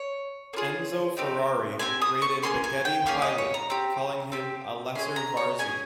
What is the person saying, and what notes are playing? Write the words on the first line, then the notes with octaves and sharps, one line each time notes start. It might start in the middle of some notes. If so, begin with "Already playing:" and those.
Enzo Ferrari rated Baghetti highly, calling him, 'a lesser Varzi'.
Already playing: C#5
A#3
F4 G#4
C4 D#4 G4
C4 D#4 G4 G#5
D#6
C#6
A#3 C#4 G#4 C6
G#5
G5
A#3 C#4 G#4 F5
D#5
C#5
A#5
C4 G4
C4 G4
C#4 G#4 C6
A#5
C#5
C#4 G#4 G#5